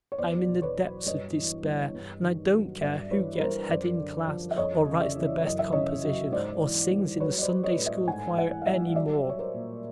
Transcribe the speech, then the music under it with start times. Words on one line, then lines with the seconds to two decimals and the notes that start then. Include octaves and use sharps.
I'm in the depths of despair and I don't care who gets head in class or writes the best composition or sings in the Sunday-school choir any more.
0.12 C#5
0.18 E2 C5 D5
0.48 B2
0.62 B4 C#5
0.77 F#3
1.06 G2 C#5 D#5
1.36 E3
1.65 G3
1.94 G2
2.23 D#3
2.52 F#3
2.81 G2 D5 E5
3.11 E3 B4 C#5
3.40 G3 A#4 C5
3.69 F#2 C5 D5
3.99 D3
4.28 F3
4.51 E5
4.56 F2 C#5 D#5
4.86 C#3
5.01 D5 E5
5.16 E3
5.44 F#2 D#5
5.59 E5
5.73 C#3 C#5 D#5
6.04 F#3
6.32 G#2 C5 D5
6.62 E3
6.91 G3
7.20 F#3 B4 C#5
7.37 D#5
7.41 C5 D5
7.49 F#3
7.64 C#5 D#5
7.78 A2
7.86 D5 E5
8.08 G#2 F#5 G#5
8.37 E3 E5 F#5
8.62 F5
8.66 G3 D5 E5
8.95 F#3 D5 E5
9.24 F#3
9.29 C#5
9.39 A#4 C5
9.54 A#2